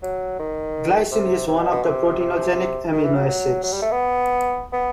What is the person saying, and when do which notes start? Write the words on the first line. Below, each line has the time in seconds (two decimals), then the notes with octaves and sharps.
Glycine is one of the proteinogenic amino acids.
0.03 F#3
0.39 D#3
1.12 C3
1.48 C3
1.59 B2
1.71 B2
1.83 C3
2.20 C3
2.92 D#3
3.04 E3
3.15 F#3
3.28 F#3
3.63 F#3
3.72 G3
3.82 A3
3.91 B3
4.73 B3